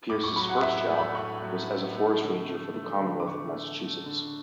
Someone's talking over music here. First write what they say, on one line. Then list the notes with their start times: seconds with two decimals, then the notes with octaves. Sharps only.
Pierce's first job was as a forest ranger for the Commonwealth of Massachusetts.
0.10 A2 D6
0.24 C#6
0.36 F#3 B5
0.50 F#5
0.62 A2 E5
0.90 A3
0.98 B5
1.15 A2 C#6
1.42 F#3
1.68 A2
1.95 A3
2.22 D3
2.48 A3
2.74 A3
3.00 D3
3.20 D6
3.27 D3 C#6
3.53 A3
3.80 A3
4.06 D3